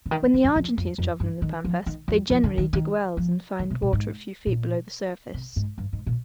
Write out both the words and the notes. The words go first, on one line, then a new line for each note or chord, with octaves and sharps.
When the Argentines travel in the Pampas they generally dig wells, and find water a few feet below the surface.
D3
D#3
D#3
D3
F2
F2
F2
F2
G2
D#3
F3
D#3
F2
F2
D3
D#3
D#3
F3
D#3
C3
A#2
G#2
A#2
C3
G#2
G2
G#2
A#2